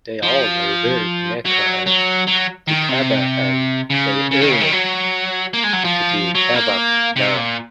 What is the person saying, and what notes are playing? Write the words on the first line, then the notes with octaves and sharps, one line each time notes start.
They all revered Mecca and the Ka'bah and they yearned to do tawaf there.
F3
F#3
F#3
F#3
D#3
C3
C#3
C#3
D#3
C#3
D#3
F#3
A#3
G#3
F#3
F3
F#3
A#3
C3
A#2